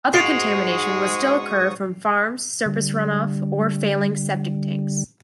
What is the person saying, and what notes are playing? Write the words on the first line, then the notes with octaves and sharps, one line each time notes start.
Other contamination would still occur from farms, surface runoff, or failing septic tanks.
G#2 G#3 F#4 C#6 D#6 C7 D7 F7
D3 G3